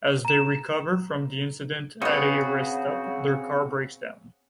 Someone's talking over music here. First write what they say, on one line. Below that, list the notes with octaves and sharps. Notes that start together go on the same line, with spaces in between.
As they recover from the incident at a rest stop, their car breaks down.
A#5 E7
C#3 G#3 B3 C4 F#4 G#4